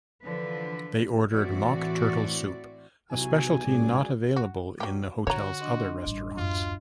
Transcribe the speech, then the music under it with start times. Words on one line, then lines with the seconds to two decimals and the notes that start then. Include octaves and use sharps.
They ordered mock turtle soup, a specialty not available in the hotel's other restaurants.
0.23 D3 E3 F3 B4
1.30 A2 E3 C4 E4 F#4 D5
3.11 B1 C3 E3 F#3 G#5
3.66 C#2 A2 F#3 G#4 D5
4.36 F#4
4.80 F#3 G4
5.27 D3 F#4 C#5 A#5
5.60 D4 D#5 C6
6.05 A1 G3
6.37 D1 F#2 F4